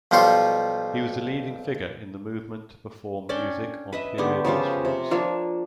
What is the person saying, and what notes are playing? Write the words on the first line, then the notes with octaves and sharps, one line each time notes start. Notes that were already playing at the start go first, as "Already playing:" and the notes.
He was a leading figure in the movement to perform music on period instruments.
B1 F3 G3 F4 C6 C#6
C#4 D4 D5 G5
B4 D#5 E5
D3 A3 B3 G4
C#3 F3 F4 G4
C3
F3 A#3 D4 C#5